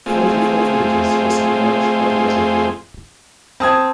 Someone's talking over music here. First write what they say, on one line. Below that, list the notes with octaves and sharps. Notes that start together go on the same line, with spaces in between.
Forty-four villages were submerged by the reservoir.
A3 C4 F4 G#4
C4 A5 D#6 G#6